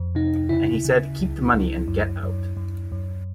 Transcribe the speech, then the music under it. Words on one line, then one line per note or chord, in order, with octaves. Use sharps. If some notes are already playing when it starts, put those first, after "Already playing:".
And he said, 'Keep the money and get out.
Already playing: F2
C3 D#4
C#3 E4
C#3
C#2
C#2
F#2
F#2
F#2
F#2